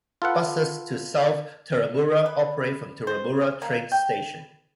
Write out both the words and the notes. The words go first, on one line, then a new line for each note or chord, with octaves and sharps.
Buses to South Turramurra operate from Turramurra train station.
F4 A4 B4 F#5
B4
C5
A#3
G5